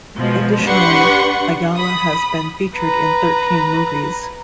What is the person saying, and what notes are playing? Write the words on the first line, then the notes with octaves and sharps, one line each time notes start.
Additionally, Ayala has been featured in thirteen movies.
B2 F3 G#3
D4 G4 B4 F#5 C6 C#6
B5 D#6
B4 A#5